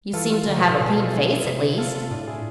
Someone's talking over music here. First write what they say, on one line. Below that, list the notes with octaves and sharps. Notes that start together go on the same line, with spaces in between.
"You seem to have a clean face, at least."
E3 F4 A4
F4 A4
D3
C3 G#4 B4
A2 F4 A4
B2 G#4 B4
F4 A4
E4 G#4
E4 G#4
C3
F4 A4
F4 A4
A2 D4 F4
E4 G#4